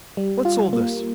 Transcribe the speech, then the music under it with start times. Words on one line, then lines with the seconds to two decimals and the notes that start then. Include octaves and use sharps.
'What's all this?
0.17 G3
0.45 F4
0.73 A#3